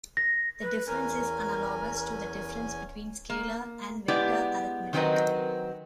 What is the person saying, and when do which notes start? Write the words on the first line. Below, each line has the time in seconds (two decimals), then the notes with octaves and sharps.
The difference is analogous to the difference between scalar and vector arithmetic.
0.17 A#6
0.62 B4
0.87 E2 C#4 A#4 G#5
3.30 A#3
4.08 G#3 B3 E4 G4 D5
4.93 D#3 F#3 C4 A#4 B4 D#5